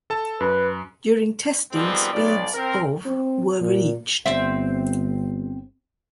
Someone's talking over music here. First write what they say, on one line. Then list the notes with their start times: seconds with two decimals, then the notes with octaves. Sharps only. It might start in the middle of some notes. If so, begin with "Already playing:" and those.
During testing speeds of were reached.
0.10 A4 A5
0.41 F#2 B4
1.72 D#3 F3 G3 G#3 B3 C4
2.12 B1 D5
2.54 C4 A#4
3.06 C4
3.62 A#2
4.26 G1 C4 E5